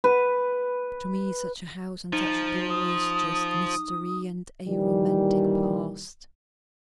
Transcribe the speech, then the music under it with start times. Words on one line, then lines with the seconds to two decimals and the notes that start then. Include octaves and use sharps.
To me such a house and such a doorway suggest mystery and a romantic past.
0.04 B4
2.13 F3 D#4 C#7
2.70 D#6
4.67 A#2 D#3 E3 G3